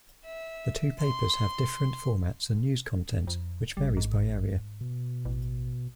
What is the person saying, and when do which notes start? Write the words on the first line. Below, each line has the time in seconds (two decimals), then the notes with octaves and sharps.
The two papers have different formats and news content which varies by area.
0.25 E5
1.00 C6
3.27 F2
3.77 G#1 G3
3.97 G#2
4.81 B2
5.25 A1